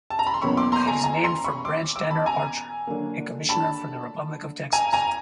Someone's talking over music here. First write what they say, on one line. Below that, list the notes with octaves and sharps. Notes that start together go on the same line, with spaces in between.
It is named for Branch Tanner Archer, a commissioner for the Republic of Texas.
A5
A#5
B5
C6
E2 B2 F#3 A#3 C#4 B5 C#6
C6 D6
A#5 C6
G#5 A#5
G#5 A#5
A#5 C6
B5 C#6
C6 D6
D6 E6
A5 B5
G#5 A#5
D3 F#3 A#3
A5 B5
G#5 A#5
G#5 A#5